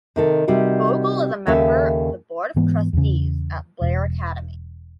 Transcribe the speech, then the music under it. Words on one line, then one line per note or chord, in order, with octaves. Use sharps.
Bogle is a member of the board of trustees at Blair Academy.
C3 D#3 A4
C3 G3 D#4 F#4
D#2 C#3 C#4 A4 E5
G#2 E3 B3
E2 C#3
E1